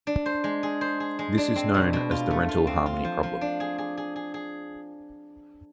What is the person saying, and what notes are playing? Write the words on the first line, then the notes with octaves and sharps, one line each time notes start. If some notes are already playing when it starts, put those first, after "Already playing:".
This is known as the Rental Harmony problem.
D4
C5
G#3
G#4
C5
G#4
G#3
D4
C4
B2
B2
F4
A3
F4
C4
F4
F3
F3
D4
G#4
G#4
G#4
G#4
G#4